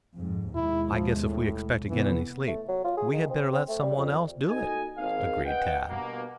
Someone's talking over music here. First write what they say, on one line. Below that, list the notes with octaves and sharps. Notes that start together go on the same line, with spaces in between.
"I guess if we expect to get any sleep we had better let some one else do it," agreed Tad.
F2 G#2
D#2 B2 G#3 E4
F3
A2
C3 E3 B3
A3
F#3
F4
G#4
D#3
C4
C4
A3
G3
F2
A#2 D#4 F#4 A4 D#5 G#5
G#1 F5
B4 D#5 F#5 G5
G2 B2 A#3